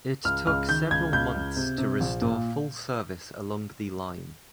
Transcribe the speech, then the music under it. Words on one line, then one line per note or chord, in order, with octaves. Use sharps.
It took several months to restore full service along the line.
C#2 F6
C#2 F6
D#3 G6
C#2 G#6
C#2 G6
C#2
C3
C3
A#1
A#2